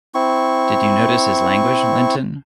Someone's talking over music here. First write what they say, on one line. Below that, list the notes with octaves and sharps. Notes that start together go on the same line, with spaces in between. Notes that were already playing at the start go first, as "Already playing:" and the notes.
Did you notice his language, Linton?
C4 E4 C#6